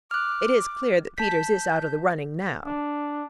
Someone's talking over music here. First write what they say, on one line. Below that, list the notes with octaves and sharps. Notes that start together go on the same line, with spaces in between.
It is clear that Peters is out of the running now.'
D6 F6 F#6
A5 G6 B6
D4